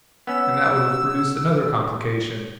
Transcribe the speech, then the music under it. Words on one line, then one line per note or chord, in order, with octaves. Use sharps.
And that would have produced another complication.
B3 C#4 E6